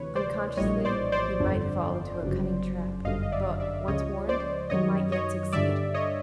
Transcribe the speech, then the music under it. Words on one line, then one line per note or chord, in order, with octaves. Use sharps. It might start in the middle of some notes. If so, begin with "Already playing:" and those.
Unconsciously, he might fall into a cunning trap, but--once warned--he might yet succeed.
Already playing: D2 C3 E3 B4 C#5
C5 D5
A#1 A2 E3 G3 C#5 D#5
C5 D5
C5 D5
G1 F2 D3
G1 F#2 C#3 F#3
G1 F#2 D3 G3 D#5 F5
D#5
D5 E5
D5 E5
C#2 C#3 F3 G#3 C#5 D#5
C5 D5
F#2 D#3 F#3 C#5 D#5
C#5 D#5
G2 D3 G3 D5 E5
C#5 D#5